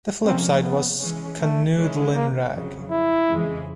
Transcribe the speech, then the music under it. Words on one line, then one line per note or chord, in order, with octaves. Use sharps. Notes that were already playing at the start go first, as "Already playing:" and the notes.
The flip side was Canoodlin' Rag.
C3 F3 A#3 C4 C#4
B3
E3 G#3 C#4
A3
D#3 G#3 C#4 E4
A#3
F2 C#3 F#3
E4
F2 C#3 E3 G#3